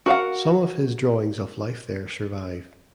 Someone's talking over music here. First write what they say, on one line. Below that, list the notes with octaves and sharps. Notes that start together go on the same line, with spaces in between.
Some of his drawings of life there survive.
F#4 A#4 F5 F#5